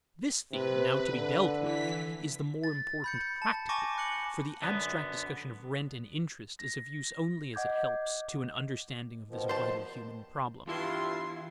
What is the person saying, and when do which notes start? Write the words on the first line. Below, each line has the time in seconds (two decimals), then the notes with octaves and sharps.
This theme now to be dealt with is the more important practically, for the abstract discussion of rent and interest is of use only as it helps to an understanding of this vital human problem.
0.52 C3 B4
1.10 D3
1.59 E3 B6
2.64 A6
3.04 B5 G6 C#7
3.42 A5
3.69 G#5 A5 B5 C#6 D6 A#6
3.98 F#6 C#7 F#7
4.62 F#2 D3 B3
6.59 A#6
7.54 D#5 F#5 D6 G6 G#6
9.30 B2 D#3 F3
9.49 C5 A5
10.67 E2 G2 E4 F4 C6